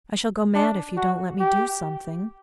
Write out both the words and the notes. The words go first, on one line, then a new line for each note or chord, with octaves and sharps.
I shall go mad if you don't let me do something.
D4
F#4
G4